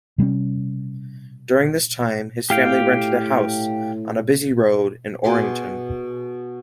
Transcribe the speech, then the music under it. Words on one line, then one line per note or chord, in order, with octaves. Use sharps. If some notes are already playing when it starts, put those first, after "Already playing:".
During this time his family rented a house on a busy road in Orrington.
C3 G3 G#3 C#4
A2 G4 F5 G5
B2 G#4 C6 D6